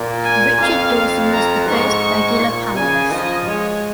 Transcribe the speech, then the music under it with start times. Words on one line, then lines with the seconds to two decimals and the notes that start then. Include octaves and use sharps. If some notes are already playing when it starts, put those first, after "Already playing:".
Richard Dawson was the first regular panelist.
Already playing: A#2
0.24 G#5
0.60 F2 F5
1.32 A#5
1.68 G#2 C#6
2.39 A#2
2.76 C#3 G#5
3.12 F3 D#5
3.48 G#3 C#5